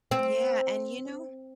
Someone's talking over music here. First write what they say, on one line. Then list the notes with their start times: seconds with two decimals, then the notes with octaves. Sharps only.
Yeah, and you know
0.11 C4